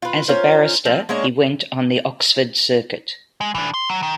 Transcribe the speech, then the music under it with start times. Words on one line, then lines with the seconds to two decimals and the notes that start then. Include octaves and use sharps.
As a barrister, he went on the Oxford circuit.
0.02 F4 B4
0.28 C#4 F4 A#4 C5
0.85 F3 C4
1.09 G#3 A#3 D4 C#5
3.41 G#3
3.55 E3 D4
3.74 C6
3.90 F#3
4.03 D#3